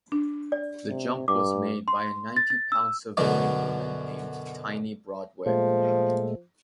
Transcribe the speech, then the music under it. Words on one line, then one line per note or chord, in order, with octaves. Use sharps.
The jump was made by a ninety-pound civilian woman named Tiny Broadwick.
D4
D5
C3
G2 D6
C6
A6
A6
E6
F#2 B2 D3 F#3
A#2 F3 G#3 A3